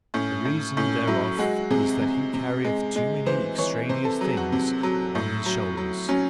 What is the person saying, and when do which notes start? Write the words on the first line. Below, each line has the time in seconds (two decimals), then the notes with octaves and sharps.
The reason thereof is that he carrieth too many extraneous things on his shoulders.
0.14 A2 C#4
0.45 A2
0.77 A2 C#4
1.07 F#3 E4
1.39 G#3 F#4
1.71 C3 G#4
2.01 C3
2.34 C3
2.64 G#3
2.96 G#3
3.26 E3 C5
3.58 E3 C#5
3.89 C3 C5
4.05 A4
4.21 F#3 G#4
4.37 F#4
4.52 C3
4.83 F#3
5.15 A2
5.46 F#3
5.77 F#3
6.09 F#3 C#4